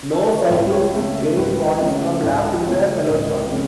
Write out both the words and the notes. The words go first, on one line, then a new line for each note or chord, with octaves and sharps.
No cyclists gained points from lapping the peloton.
A4
B4
C#5
C#2 E5
C#5
C#3 A3 C#4 E5
E5
C#2 B4
C#3 A3 C#4 E5
F#5
E5
C#2 E5
C#3 A3 C#4
C#2
C#3